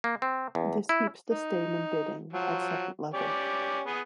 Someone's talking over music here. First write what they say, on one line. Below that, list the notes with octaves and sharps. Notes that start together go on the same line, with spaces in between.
This keeps the Stayman bidding at second level.
A#3
C4
E2
E4
D#4
F3 F#3
C#4 G4 D5
B3 G#4